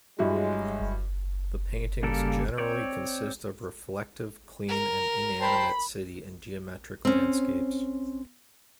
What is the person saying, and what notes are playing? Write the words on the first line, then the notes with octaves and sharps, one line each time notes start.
The paintings generally consist of reflective, clean, and inanimate city and geometric landscapes.
G2 F#3 G#3 E4 F#4
C#3 G3 A#3 A4 A#4
C4 C#5 D5
A#4
C5 G5 A5 B5
C4 C#4